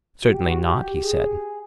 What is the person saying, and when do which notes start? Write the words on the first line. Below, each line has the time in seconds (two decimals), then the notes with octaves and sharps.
Certainly not, he said.
0.22 F#4
0.34 G4
0.47 F#4
0.63 G4
1.03 G#4